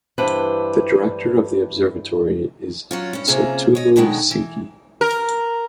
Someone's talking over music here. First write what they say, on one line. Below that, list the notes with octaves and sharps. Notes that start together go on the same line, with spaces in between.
The director of the observatory is Tsutomu Seki.
G2 E3 D4 B4 C5
F#3 C#4 F4
G2 C#4
C3 A#3 C#4 F4 G#4 E5
C#5 D#5
B2 D3 D#3 F#3 G#3 B3
E3
A#4